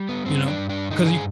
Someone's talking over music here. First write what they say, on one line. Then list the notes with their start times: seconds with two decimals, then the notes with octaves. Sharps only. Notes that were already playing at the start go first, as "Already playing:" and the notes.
You know? 'Cause you
Already playing: G3
0.09 B3
0.26 G2 C4
0.48 D4
0.58 G2
0.70 D4
0.90 D3 D#4
1.06 G#4